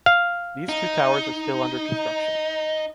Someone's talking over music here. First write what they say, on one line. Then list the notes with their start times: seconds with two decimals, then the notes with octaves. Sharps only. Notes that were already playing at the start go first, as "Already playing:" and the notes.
These two towers are still under construction.
0.06 F5
0.69 D#4